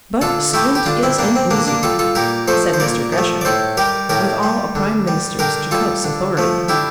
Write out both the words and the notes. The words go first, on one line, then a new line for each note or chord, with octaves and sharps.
"But squint is an easier," said Mr. Gresham, with all a prime minister's jocose authority.
D3 F4 A4
A3 E4 G4
G4
D3 D4 F4
C4 E4
G3 A#3 D4
C4
D3 A#3 D4
A#3 D4
G3 F4 A4
F4 A4
A#2 G4 A#4
F3 A3 A4 C5
C5
A#2 A#4 D5
F3
A3
D5
A2 A4 C5
G3 G4 A#4
A2 G4 A#4
G3
D3
G3
D3 G4 A#4
G3 F4 A4
D3
F3 A3
D3 E4 G4